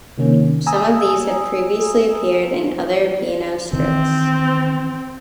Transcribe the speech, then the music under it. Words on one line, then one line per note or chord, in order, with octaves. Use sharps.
Some of these had previously appeared in other Beano strips.
C3 D#3 A#3 C#4
G#5 A#5 D#6 E6
D#3 E3 C4